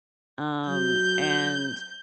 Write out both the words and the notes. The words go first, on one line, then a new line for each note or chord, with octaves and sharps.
um, and,
F#3 G6